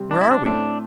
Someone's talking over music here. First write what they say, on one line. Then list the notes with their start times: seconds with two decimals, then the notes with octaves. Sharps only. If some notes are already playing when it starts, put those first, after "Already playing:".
"Where are we?"
Already playing: C3 G3 C4
0.11 D4
0.21 E4
0.31 D4
0.45 A2 A3 C4 D4